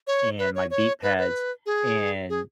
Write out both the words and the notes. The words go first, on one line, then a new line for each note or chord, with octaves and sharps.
and my beat pads, and
C#5
B4
C#5
C#5
B4
B4
G#4
G#4